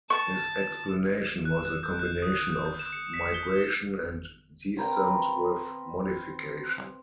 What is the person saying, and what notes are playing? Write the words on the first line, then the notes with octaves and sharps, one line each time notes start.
His explanation was a combination of migration and descent with modification.
A5 C#6
E7
F#6
F#6
G6
F#6
D#6
F#6
G6
E7
C#7
B6
G7
C4 A#4 B4 G5